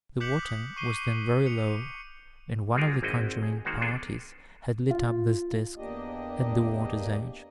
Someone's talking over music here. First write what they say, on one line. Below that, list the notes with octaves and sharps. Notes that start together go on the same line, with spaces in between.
The water was then very low, and one of the conjuring parties had lit up this disk at the water's edge.
D6 F#6 G6 B6 C#7 F#7
D#6
C#6 C7 D#7 G7
C#7 F7
G3 G#3 F4 F#4 G#4 A#4
G#1 C4 E4 F#4 D#5
G#4
D#3 G#3 A#3 F#4 C5
B3 D4 G#4 A4
F4
E2 A#3 D4 G4 D#5